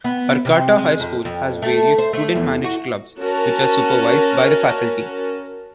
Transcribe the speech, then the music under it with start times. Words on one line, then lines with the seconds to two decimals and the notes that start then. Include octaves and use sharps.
Arcata High School has various student-managed clubs, which are supervised by the faculty.
0.04 B3
0.45 C3
0.78 G#3
1.00 F2
1.25 F2
1.62 A3
1.98 C5
2.13 A3
2.35 E2
2.64 F#4
3.20 C#4 F#4 A#4 A5